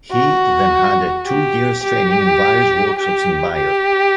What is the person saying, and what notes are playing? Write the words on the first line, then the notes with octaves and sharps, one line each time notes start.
He then had a two-years training in various workshops in Biot.
F#4
G4
G4
G4
G4